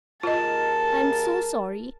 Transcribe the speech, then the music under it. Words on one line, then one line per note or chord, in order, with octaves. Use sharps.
I'm so sorry.
D#2 F4 G#4 A#4 D#5 A5